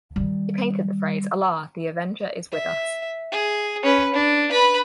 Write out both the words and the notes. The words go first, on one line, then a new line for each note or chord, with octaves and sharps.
They painted the phrase Allah the Avenger is with us!
D#3 G3
E5
G#4
C#4 B4
D4
B4 B5